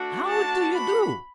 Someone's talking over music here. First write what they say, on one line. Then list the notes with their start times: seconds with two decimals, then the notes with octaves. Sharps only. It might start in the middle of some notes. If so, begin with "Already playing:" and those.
"How do you do!"
Already playing: A3 D4 F#4
0.27 A5
0.74 B5